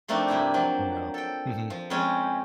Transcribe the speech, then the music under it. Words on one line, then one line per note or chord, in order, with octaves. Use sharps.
Yeah. Mhm.
F3 A3 A#3 C4 D4 D#4
G2 C3 E4 A#5
F3 F#3 C4
A4 G5
F3
F2 G#3 C4 C#4 G#4